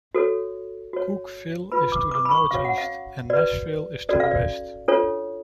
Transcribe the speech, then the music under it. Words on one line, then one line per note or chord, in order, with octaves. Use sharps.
Cookeville is to the northeast, and Nashville is to the west.
F#4 A4 C#5
F#4 C#5
F4 B4 B5
D6
D6
B5
C#6
C#4 F#4 C#5 F5
F#5
F5
F#4 B4 D5
C#4 F#4 A4 D5
F5
D5
D4 F4 A4 C#5